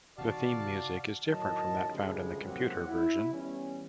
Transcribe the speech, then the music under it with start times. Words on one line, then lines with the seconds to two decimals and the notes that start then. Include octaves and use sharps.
The theme music is different from that found in the computer version.
0.18 C3 D#3 F#4 D5 F5 A5
1.26 A2 D#3 F#3 A#4 D#5 A5
1.88 C#2 F#2 D3 F3 G3 G#3
2.43 F#1 F#3 A#3 C4 G4 F#5
2.88 E4
3.32 E3 G3 B3 C#4